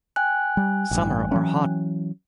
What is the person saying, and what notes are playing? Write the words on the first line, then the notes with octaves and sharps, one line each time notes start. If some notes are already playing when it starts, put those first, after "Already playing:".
Summer are hottest in month of May and June.
G5 G#5 F#6
G3
A1 G2
E3 F#3 C#4